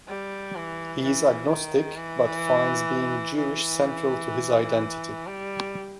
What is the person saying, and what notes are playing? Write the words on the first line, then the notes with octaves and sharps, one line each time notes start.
He is agnostic but finds being Jewish central to his identity.
G3
E3
E3
D#3
E3
E3
G3